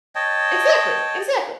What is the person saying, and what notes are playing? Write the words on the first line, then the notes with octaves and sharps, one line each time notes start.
Exactly, exactly.
C#5 D#5 G5 A5